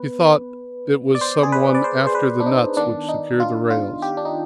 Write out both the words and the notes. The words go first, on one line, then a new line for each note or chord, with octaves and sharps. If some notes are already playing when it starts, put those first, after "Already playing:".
He thought it was some one after the nuts which secure the rails.
Already playing: B3 B4
D5
C5
G#4
B4
D5
C5
C5
B4
D4
D#4
D#3 B3 D4
D#4
F4
F4
G4
D4
D#4